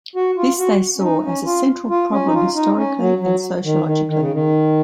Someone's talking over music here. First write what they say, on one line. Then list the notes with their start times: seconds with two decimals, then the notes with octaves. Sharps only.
This they saw as a central problem historically and sociologically.
0.16 F#4
0.37 F4
0.59 F#4
0.98 C#4
1.02 D#4
1.24 C#4
1.46 F4
1.90 F4
2.12 C#4
2.26 D#4
2.34 F4
2.56 D#4
2.77 C#4
2.99 F#3
3.21 F#3
3.64 D#3
3.86 D#3
4.08 D#3
4.19 C#3
4.32 D#3